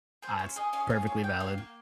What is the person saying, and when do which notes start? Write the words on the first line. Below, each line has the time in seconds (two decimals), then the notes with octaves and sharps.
Ah, that's perfectly valid.
0.22 G#4 C5
0.39 C#4
0.56 G#4 D#5
0.73 C#4 F5
0.90 G#4
1.07 C#4
1.24 A#3 G5
1.40 A#3 F5
1.58 A#3